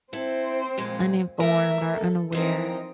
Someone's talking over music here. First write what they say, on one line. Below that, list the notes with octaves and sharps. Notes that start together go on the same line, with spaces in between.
uninformed or unaware
C4 E4 A4 C5
F2 A#2 G#3
A3 A#4 E5
A4
E3 F3 C4 D#4 A#4